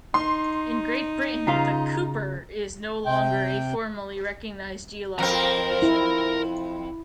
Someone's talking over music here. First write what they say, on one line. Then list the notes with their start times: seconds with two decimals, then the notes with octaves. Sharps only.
In Great Britain the 'Keuper' is no longer a formally recognised geological division.
0.14 D#4 C6
1.47 C#3 F4 F5 A#5
3.06 C3 G5
5.19 F2 C4 A#4 A#5
5.82 E4